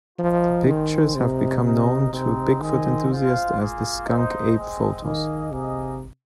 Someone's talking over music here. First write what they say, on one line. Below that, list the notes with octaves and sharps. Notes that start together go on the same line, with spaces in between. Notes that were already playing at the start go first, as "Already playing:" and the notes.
The pictures have become known to Bigfoot enthusiasts as the "skunk ape photos".
F3 F4 A#4 D#5
D#3 C4 G#4 C5
C3 D#4 A#4 D#5
C3 D#4 A#4 D#5
C3 G#3 C4 D#4
D#3 G#3 C4 G#4 D#5
G#3 F4 C5 F5
A#3 F4 G#4
A#3 D#4 C5 D#5
G#3 C4 G#4 D#5
D#3 A#3 G#4 D#5
C3 A#3 D#4 G#4 D#5